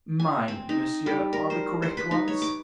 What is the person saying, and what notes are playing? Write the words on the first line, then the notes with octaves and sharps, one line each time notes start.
"Mine, monsieur, are the correct ones."
G#5
C4
D#4
G3
A#4
C5
C5
B4
D#4
C#5
D6